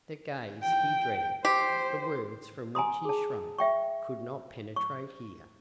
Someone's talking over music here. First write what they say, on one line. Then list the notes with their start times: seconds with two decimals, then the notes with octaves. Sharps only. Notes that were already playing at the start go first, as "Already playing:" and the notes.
The gaze he dreaded, the words from which he shrank could not penetrate here.
0.63 G5
1.45 G4 C5
2.75 G#5 A#5 C6 D#6
3.05 G#4 A5
3.58 E5 G5 C#6
4.76 C#6